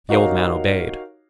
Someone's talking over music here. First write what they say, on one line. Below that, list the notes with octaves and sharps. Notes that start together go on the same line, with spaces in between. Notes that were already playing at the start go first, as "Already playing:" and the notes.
The old man obeyed.
D#4 F#4 G4 A#4 C#5 F5